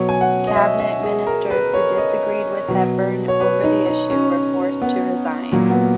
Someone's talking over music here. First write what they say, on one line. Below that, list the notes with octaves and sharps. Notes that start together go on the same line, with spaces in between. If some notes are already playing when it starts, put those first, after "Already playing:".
Cabinet ministers who disagreed with Hepburn over the issue were forced to resign.
Already playing: B2 F#3 C#5
G#5
F#5
D#5
E5
E5
G#4
A#4
B4
C#5
D#5
B2 F#3
C#5
B4
D#4
D#4
C#4
B3
A#2 F#3 A#3
B3